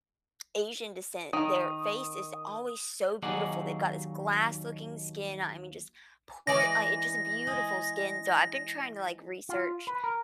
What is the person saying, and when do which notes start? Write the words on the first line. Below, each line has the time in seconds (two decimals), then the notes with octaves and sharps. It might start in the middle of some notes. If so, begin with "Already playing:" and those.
Asian descent, their face is always so beautiful, they've got this glass-looking skin. I mean, just por uh, it's just beautiful skin, so I've been trying to, like, research,
1.33 D#3 D#6
3.23 D#2 F#3 D#4 G#4 D5 F#5
6.47 E3 G#3 D5 A#6
7.47 G#3
9.49 F4
9.87 B4
10.04 A#4